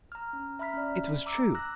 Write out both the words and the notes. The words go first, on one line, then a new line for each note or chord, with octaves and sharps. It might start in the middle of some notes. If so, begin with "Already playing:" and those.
It was true.
A#5 F6
C#4
E5 A#5 B5 F6 B6
C#4 D5
A#5 D6 E6
E6 F#6 A#6